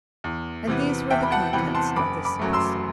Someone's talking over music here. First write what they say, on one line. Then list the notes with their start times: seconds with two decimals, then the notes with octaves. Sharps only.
And these were the contents of this epistle.
0.24 E2
0.67 C3 E3 B3
1.10 E2 E5 G5
1.22 B5
1.32 F#5 A5
1.53 C3 E3 B3 G5 B5
1.75 A5 C6
1.96 F#1 B5 D6
2.25 B5 D6
2.39 F#2 F#3 A3
2.53 C6 E6